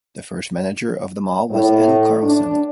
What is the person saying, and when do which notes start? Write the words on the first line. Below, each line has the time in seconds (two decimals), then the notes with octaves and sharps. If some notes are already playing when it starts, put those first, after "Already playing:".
The first manager of the mall was Eddo Carlson.
1.51 A2
2.23 D4